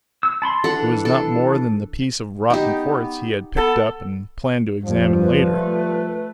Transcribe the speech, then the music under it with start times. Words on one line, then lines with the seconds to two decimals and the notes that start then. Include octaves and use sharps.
It was not more than the piece of rotten quartz he had picked up and planned to examine later.
0.23 E6
0.42 A5 B5 C6
0.64 E3 D4 A4 F#5
1.05 A4
2.50 B3 D#4 G4
3.56 B3 A4
4.85 F2 F3 G3
5.22 B4
5.54 A3